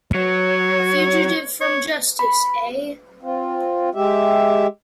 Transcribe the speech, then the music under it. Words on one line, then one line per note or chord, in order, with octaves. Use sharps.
A fugitive from justice, eh?
F#3 C#5
C#5
B5
C4 F4
G#3 G4 E5